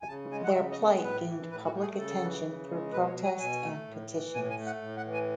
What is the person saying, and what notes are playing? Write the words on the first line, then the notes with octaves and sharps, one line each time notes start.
Their plight gained public attention through protests and petitions.
G#5
C#3 A5
G#3 G#5
F#5
C#3 E5
D#5
B3
A2 B4
E3
A2 B4
F#4
A3
G#4
C#3 A4
E3
C#3
G#3
B2 B4
C#5
F#3
G#5
B2 G#5
A3
A2
E3
A2 G#5
G#5
A3
F#5
A2
F#5
E3
G#5